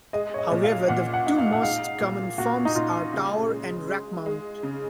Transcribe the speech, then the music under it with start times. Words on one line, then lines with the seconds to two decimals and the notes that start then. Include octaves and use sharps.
However, the two most common forms are tower and rack-mount.
0.13 G#3 D#5
0.34 C#5
0.38 D#5
0.51 A#2
0.64 F5
0.88 A#2 F#5
1.13 F#5
1.27 D#4
1.38 F5
1.53 F#5
1.63 G#3 F5
2.00 A#2
2.38 A#2 F#4
2.65 D#4
2.75 A#2 F4
3.13 C#3 F4
3.50 G#3
3.88 G#3
4.26 G#3
4.63 C#3